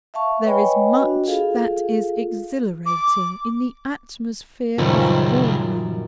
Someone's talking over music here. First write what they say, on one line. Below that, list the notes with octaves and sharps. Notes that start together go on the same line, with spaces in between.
There is much that is exhilarating in the atmosphere of a ball room.
E5 F5 A5 C#6
B4 C#5 D#5 G5 G#5 B5
D4 F#4
F4 G#4 A4 F5
D6
C#2 F#2 A#2 D#3 F3 G3 C#4